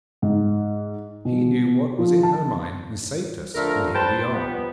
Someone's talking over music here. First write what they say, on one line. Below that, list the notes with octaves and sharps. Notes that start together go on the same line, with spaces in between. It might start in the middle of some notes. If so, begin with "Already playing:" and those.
He knew what was in her mind and saved us, and here we are.
G#2
B2
F3
A5
D3 F3 A3 A#4
B4 C5 G5 A5
F3 G3 B3